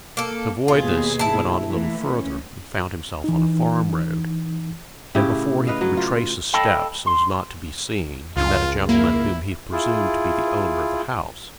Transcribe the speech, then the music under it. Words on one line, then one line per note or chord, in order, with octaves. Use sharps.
To avoid this he went on a little further and found himself on a farm road, and before he could retrace his steps so as not to be seen, he met a gentleman whom he presumed to be the owner of the house.
A#3 A4
D#2 B2 F4 G#4
E4 A5
E3 A3 A#3
C#4
E3 D#4
A2 C#3 E4 G4
B4 D#5 F5
F#3
F4
A4 D#5 F5 G5 A5 B5
C6
C#2 F4
A#3 E4
E4 F4 G#4